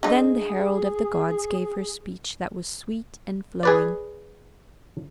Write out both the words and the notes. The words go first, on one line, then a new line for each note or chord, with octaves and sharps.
Then the herald of the gods gave her speech that was sweet and flowing.
D3 D#4 G#4
G#4 B4 D5